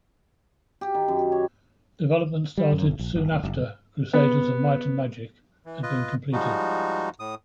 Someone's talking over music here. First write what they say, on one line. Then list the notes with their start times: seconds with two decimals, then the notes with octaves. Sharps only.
Development started soon after "Crusaders of Might and Magic" had been completed.
0.81 G4
0.94 D#3
1.08 F#2
1.32 C#5
2.58 G3
2.72 F#2
2.86 G1
2.99 A#1
3.15 G1
3.32 D1
3.43 F#1
4.13 B3
5.66 E3
5.83 F4 B4 D#5
6.33 F3 G3 G#3 D#4 F#4
7.20 A2 D#6